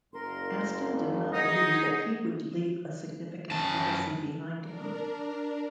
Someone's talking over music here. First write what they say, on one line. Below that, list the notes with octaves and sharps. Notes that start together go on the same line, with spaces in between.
Aston did not believe that he would leave a significant legacy behind him.
F#1 A#4 C6
D#4 G#4 D#5 F#5
F#2 A5
D4 A#4